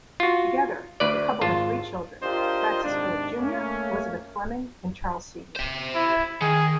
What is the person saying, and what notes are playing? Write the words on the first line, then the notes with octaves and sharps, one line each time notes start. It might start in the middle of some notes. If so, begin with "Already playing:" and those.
Together the couple had three children: Francis Philip Junior Elizabeth Fleming, and Charles Seton.
F4 F#4
D2 B4 D5
G#1 F4 A5
D4 F4 G4 A#4 C5 D#5
G#2 C3 D#3 D4
A3 A#3 C#4
C5 E5
E4
D#3 G#4